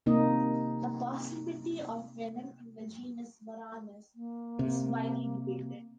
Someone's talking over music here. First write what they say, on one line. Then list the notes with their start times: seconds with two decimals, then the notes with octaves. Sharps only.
The possibility of venom in the genus "Varanus" is widely debated.
0.06 C3 A#3 D#4 D#5
4.15 A#3
4.59 C3